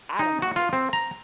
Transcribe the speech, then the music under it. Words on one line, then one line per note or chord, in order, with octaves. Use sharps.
I don't know.
D#4
F#4
F4
C4
A#5